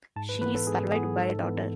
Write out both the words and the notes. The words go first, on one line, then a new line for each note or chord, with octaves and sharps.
She is survived by a daughter.
G#2 A5
B4
E3 B3 B4
A4
G#2 G#4
E3 B3 G#4
G#2 A4
E3 B3